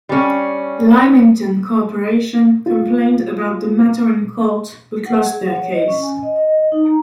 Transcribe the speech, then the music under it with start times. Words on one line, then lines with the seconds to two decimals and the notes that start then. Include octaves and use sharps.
Lymington Corporation complained about the matter in court, but lost their case.
0.09 G3 C#4
2.66 F4
5.06 F#5
5.26 G#4
5.43 F#5
5.55 C#5
5.72 D#5
5.88 C#4
6.03 G#5
6.23 D#5
6.36 D#5
6.72 D#4
6.85 A#5